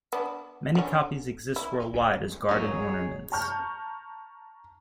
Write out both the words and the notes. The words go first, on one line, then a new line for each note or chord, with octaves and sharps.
Many copies exist worldwide as garden ornaments.
B3 D4
D3 C#4
E4
F2 F#3 A#3 D#4 C#5
G#4 C#5
A5 A#5 C#6 F6 G6